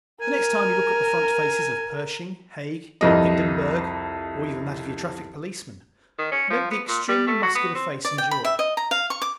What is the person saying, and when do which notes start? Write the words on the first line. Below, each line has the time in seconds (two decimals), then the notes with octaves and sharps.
The next time you look at the front faces of Pershing, Haig, Hindenberg or even that of your traffic policeman, note the extremely muscular face and jaw.
0.22 A#4 G#5
3.01 C2 F2 D#5
6.18 D#3
6.32 C#4
6.50 F3
6.71 B3
6.88 A#2
7.08 G3
7.27 A3
7.43 F#4
7.55 B3
7.75 C4
8.05 D5
8.18 G5
8.31 B5
8.45 E5
8.59 D#5
8.77 A#5
8.91 F5
9.10 C#6
9.22 D6